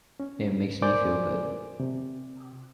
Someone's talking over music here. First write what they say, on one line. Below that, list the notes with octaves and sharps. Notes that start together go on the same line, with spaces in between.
It makes me feel good.
C#4
A#4 C5 D5 G#5 D6 G6
C3